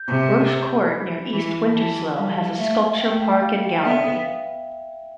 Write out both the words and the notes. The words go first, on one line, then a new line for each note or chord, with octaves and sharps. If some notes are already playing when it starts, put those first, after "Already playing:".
Roche Court near East Winterslow has a sculpture park and gallery.
Already playing: G6
C3
D6
E6
B5
E3 B5
E3 A5
G3 F5
F5
A3 E5
F5
A3 G5
G5
F5
G5
B3 E5
F5